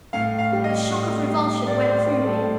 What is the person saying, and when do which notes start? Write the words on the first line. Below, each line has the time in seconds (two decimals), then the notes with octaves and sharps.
A shock of revulsion went through me.
0.13 A2 F5
0.39 F5
0.52 G3
0.64 D#5
0.91 A2
1.29 G3
1.66 A2 D5
1.86 C5
2.06 G3
2.25 A4
2.44 A2